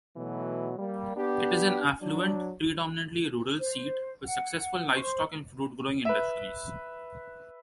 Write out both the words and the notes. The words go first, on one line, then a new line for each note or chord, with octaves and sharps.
It is an affluent, predominantly rural seat with successful livestock and fruit-growing industries.
B2 E3 F#3 A3
G3 A#3
B3 D4 G4
F#3 D4
C5
F#5
C5 C6 C#6
B4 E5